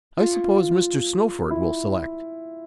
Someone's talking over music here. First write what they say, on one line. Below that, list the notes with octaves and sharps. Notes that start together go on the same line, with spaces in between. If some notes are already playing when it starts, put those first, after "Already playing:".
"I suppose Mr. Snowford will select."
F4
F4
F4
E4